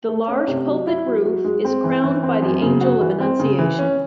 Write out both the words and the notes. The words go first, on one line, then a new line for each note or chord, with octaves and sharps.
The large pulpit roof is crowned by the Angel of Annunciation.
A3
C#4
C3
F#3
E4
F#3
F#3
G#3
C4
E3
E3
C4
F#2
C#3
F#4
E3
C4
C#3
E3
C#4